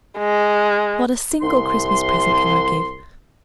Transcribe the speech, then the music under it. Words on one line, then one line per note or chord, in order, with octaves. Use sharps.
Not a single Christmas present can I give.
G#3
C2 C6